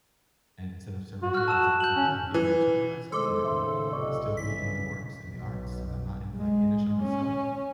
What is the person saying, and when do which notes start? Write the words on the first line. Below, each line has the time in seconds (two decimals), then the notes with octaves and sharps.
and instead of serving tables, I was, like, "Oh, I can get my interpreter license, and I can still be in the works, in the arts when I'm not in, like, in a show, myself,
1.23 F#4
1.34 F6 F#6
1.48 A5 E6 E7
1.80 G6 F#7
1.96 C#4
2.34 E3
3.12 B2 D#3 G#3 A4 C5 C6 D6 E6
3.44 A2 C#3 E5 C6
3.93 B1 F2 C3 D5 D#5 C#6 D6
4.37 D2 A2 C#3 E3 B6
5.30 B1
6.36 G#3
7.03 C#4